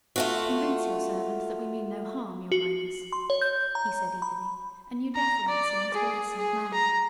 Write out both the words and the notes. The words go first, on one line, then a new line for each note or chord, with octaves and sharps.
"Convince your servant that we mean no harm, your highness," he said eagerly, a new deference in his voice and manner.
A3 F4 F#4
F#4
C6
C#5
G6
A#5
B5
A#5
D5
G#4
G#4
A#5